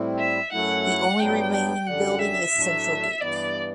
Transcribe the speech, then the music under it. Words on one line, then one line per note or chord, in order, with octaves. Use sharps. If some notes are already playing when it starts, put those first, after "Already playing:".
The only remaining building is central gate.
Already playing: A2 G3 C4 E4
E5
F#2 F#3 A3 E4 F#5
G2 F#3 B3 D4 G5
G5
F#2 D3 G3 F#5
E5
A2 F#3 A3 D4
G2 E3 B3 D5